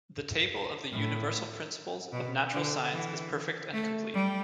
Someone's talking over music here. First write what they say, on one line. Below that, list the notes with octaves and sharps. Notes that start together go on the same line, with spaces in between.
The table of the Universal Principles of Natural Science is perfect and complete.
A2
B2
D3
E3
A3
G3